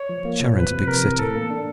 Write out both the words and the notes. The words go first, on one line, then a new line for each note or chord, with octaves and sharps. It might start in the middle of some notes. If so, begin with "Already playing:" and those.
Charin's a big city.
Already playing: C#5
F3
A#3
A#2
F3 B4
C3
C4 A#4
E3
A2 A4
A#3
D4